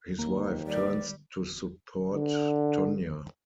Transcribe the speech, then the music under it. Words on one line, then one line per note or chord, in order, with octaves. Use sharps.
His wife turns to support Tonya.
D#2 A#3
G3 D5
D3